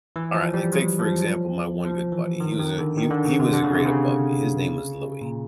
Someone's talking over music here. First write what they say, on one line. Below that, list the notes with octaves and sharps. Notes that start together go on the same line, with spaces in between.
alright, like, take for example, my one good buddy, he was a he he was a grade above me, his name was Louis.
E3
F3
G3
F#3
F3
F#3
F3
F3
E3
D#3
D#3
D3
D#3
D3
C#3
C3
D3
C#3
C3
C#3
A#2